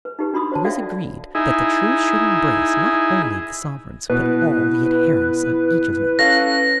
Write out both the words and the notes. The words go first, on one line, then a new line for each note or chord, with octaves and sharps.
It was agreed that the truce should embrace not only the sovereigns, but all the adherents of each of them.
B4
D#4 G4 B4
D4 F#4 B5 C6 D#6 E6
C5 C#5 A5
F#4 A4 D5 E5 F5 G5
D#4 E4 G#4
B2 E4 B4
C#4 A4 F5 A#6